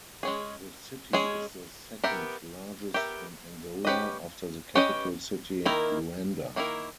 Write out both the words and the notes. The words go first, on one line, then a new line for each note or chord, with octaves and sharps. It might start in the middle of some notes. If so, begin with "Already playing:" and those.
The city is the second largest in Angola, after the capital city, Luanda.
G#3 C#4 G#4
G#3 C#4 G#4
B3 G4 A#4 E5
B3 G4 A#4 E5
C#4 G4 B4 D#5
C#4 G4 B4 D#5
D#3 A#3 E4 A#4
D#3 A#3 E4 A#4